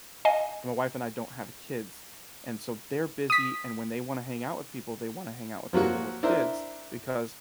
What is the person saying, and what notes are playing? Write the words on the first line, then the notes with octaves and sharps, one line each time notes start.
My wife and I don't have kids, and so they're busy, and when they wanna hang out with people, they wanna hang out with people with kids because
D#5 F5 G#5
D#6 B6
F3 F#3 A#3 F#4
D4 E4 A#4 C5